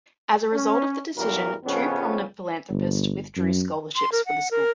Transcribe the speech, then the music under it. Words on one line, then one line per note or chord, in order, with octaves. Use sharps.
As a result of the decision, two prominent philanthropists withdrew scholarships for the school.
C#4
B1 E2 G2 F#3 A#4
A#1 F2 C#3 B3 C#4
G1
F#2
C6
A#4
F#5
A#4